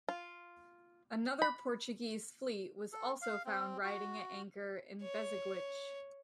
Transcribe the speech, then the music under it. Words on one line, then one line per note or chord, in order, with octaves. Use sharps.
Another Portuguese fleet was also found riding at anchor in Beseguiche.
F4
B5
A4
F5
C4
F#4
C#5